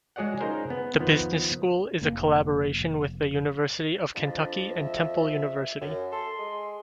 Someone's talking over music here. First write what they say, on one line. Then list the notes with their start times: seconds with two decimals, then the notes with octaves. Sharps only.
The business school is a collaboration with the University of Kentucky and Temple University.
0.16 G#3 F#4 G#4 C#5 D5 F#5
0.41 C#4 D#4 F4 G#4 A#4 C5
0.70 B3
0.99 F2 D#3 F3 B3
2.01 F1 A#3
4.15 F2 D4
4.81 E5
5.81 F#2
6.12 A4 C6
6.39 G#3